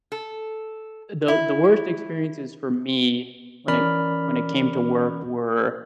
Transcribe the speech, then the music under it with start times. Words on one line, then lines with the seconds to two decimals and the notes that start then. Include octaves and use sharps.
the the worst experiences for me when it when it came to work were
0.12 A4
1.28 E4
3.68 E3 C#4 A#4 D5 B5 F6